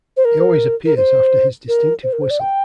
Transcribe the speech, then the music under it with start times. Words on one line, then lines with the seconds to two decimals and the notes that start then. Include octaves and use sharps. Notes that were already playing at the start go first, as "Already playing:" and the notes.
He always appears after his distinctive whistle.
0.17 C5
0.25 A#4
0.85 A#4
0.97 C5
1.68 A#4
2.03 C5
2.13 A#4
2.21 C5
2.30 D5
2.40 G5